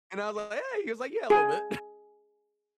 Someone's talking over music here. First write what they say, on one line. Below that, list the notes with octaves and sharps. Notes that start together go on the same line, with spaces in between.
And I was like, "Yeah." He was like, "Yeah, a little bit."
G#4